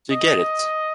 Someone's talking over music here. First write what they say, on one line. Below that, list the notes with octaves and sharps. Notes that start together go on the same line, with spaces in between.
Do you get it?
D#5